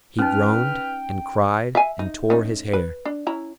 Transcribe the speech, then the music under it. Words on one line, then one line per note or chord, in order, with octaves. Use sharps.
He groaned and cried and tore his hair.
C#4 D#4 B4 G5 F6
E5 F5 G#5
D#4
A3 C#4 D#4
B4
D4
C#4 E4 A#5